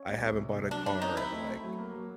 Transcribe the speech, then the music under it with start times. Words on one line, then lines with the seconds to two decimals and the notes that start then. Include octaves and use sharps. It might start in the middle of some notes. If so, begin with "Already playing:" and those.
I haven't bought a car in, like
Already playing: C#4
0.10 C2
0.24 C2
0.40 C3
0.56 C2
0.70 F#3 D4
0.86 F#3 D4
1.01 C4 D#4
1.17 C4 E4
1.32 A3
1.48 A3
1.64 F#3
1.78 A#3
1.94 F#3